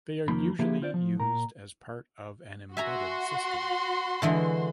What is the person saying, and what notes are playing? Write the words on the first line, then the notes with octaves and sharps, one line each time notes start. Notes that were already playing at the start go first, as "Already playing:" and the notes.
They are usually used as part of an embedded system.
F2 D#3 F3 A#3 B5
D3 F3 A#3 E4 G4 G#4
C4 F4 C5 D5
F3
A#2 A#4 A#5
F#4 E5 G#5 A#5 C6
D3 E3 G#3